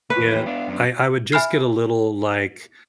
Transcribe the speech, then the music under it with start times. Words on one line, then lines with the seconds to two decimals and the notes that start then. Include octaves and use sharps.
get I I would just get a little like
0.10 A#3 B4 C#5
0.32 E3 G4
0.46 B3 D4 E5 F5
0.68 F#2
1.32 E5 G#5 B5 F6 C7